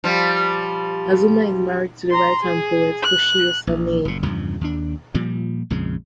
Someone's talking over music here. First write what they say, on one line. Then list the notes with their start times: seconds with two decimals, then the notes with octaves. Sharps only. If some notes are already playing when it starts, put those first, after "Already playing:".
Azuma is married to the writer and poet Hoshio Sanae.
0.04 F3 G3
2.09 A#5 C6
2.43 G#4
3.02 F#6
3.67 A#1
4.05 F#1 A#2
4.23 E2 G2 C#3 F3
4.61 D#2 D4
5.14 A#2 F3 G3
5.70 A#1 F2 C#3 G#3